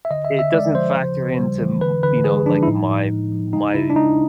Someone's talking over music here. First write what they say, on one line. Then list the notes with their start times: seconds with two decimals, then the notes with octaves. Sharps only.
it doesn't factor into m you know, like, my my,
0.05 E5
0.11 D3 D#5
0.25 E5
0.32 D3
0.39 E5
0.54 G#3 D5
0.75 F3 C5
0.96 C#3
1.18 C#3
1.39 G3
1.60 E3
1.81 D3 B4
2.03 D3 B4
2.24 G#3 G#4
2.46 F3 D4
2.63 E4
2.68 A2 D#4
2.89 A2
3.10 G#3
3.32 F3
3.53 C#3 D#4
3.74 C#3 E4
3.90 D4
3.96 G#3 D#4